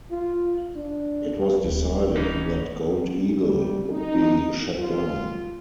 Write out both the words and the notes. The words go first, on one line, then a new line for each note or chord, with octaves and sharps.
It was decided that Gold Eagle would be shut down.
F4
D4
D1
E3 C#4 D#4
G3
D#4
F4